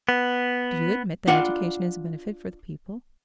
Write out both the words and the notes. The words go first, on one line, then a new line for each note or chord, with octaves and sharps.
"Do you admit that education is a benefit for the people?"
B3
D4 F4 F#5